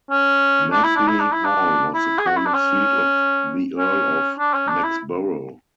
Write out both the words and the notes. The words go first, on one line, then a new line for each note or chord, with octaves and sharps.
Methley Hall was the former seat of the Earl of Mexborough.
C#4
D4
E4
D4
E4
D4
E4
D4
E4
G#4
F#4
E4
D4
C#4
C#4
D4
C#4
D4
E4